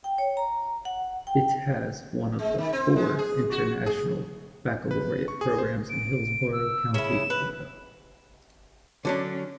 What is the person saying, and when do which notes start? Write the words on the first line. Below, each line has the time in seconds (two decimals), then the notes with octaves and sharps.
It has one of the four International Baccalaureate programs in Hillsborough County, Florida.
0.04 G5
0.18 C#5
0.37 A#5
0.85 F#5
1.27 G5
2.39 G#3
2.58 D#3
2.73 C4
2.96 G#3
3.19 G#4
3.52 F#4
3.86 G#4
4.91 B4
5.28 C#6
5.41 G#4
5.58 C5
5.90 D7
6.53 E6
6.94 C#3 E4 E7
7.30 B4
9.05 D3 F#3 C#4 D4